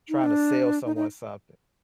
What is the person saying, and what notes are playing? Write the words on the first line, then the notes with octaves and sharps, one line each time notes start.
trying to sell someone something.
D#4
D4
D#4
D#4